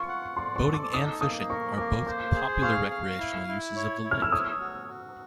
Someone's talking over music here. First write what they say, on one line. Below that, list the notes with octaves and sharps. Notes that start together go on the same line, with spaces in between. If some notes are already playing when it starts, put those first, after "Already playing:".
Boating and fishing are both popular recreational uses of the lake.
Already playing: F4 C#6
F#5
D5 C6
C#6
A4
D6
D#4 D#6
A#3 D#6
A#4 C#6
A#3 D6
C5 D6
G#4
F5 C#6
F5
E4
E4
C#5
E4
F6
E6
C#5 D#6
F#4
F#4